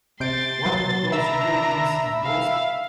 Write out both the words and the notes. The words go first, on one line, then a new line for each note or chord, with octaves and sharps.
One of those glue things on toast?
C3 C6 G6 A6 D7
F#3
D4 E5 A#5 B5 E6
F5